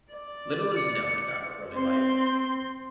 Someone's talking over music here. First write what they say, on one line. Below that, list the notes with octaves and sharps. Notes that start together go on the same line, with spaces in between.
Little is known about her early life.
D5
C#7
C4 C6